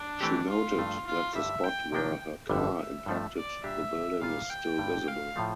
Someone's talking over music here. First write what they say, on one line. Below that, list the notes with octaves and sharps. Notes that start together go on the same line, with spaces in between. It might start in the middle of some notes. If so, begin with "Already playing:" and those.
She noted that the spot where her car impacted the building is still visible.
Already playing: D4
E3 A3 C4 G4
F4
G2 F3 A3
F4
G2 D3 G3 D4 E5
G5
C3 F3 A#3 D4 G5
G1 F2 D3 G3 E5
E5
G2 F3 A3
D5
A#2 G3 D4 G4 E5
A#2 G3 D4 F4 F5
G5
G2 D3 G3
F5
A2 F3 A3